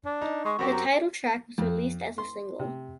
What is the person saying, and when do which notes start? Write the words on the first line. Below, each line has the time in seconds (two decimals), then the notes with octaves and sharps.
The title track was released as a single.
0.06 D4
0.21 D#4
0.45 G#3 C#6
0.59 F#2 C4 F#4 G4
0.72 A#5
1.58 F2
2.18 C6
2.59 C3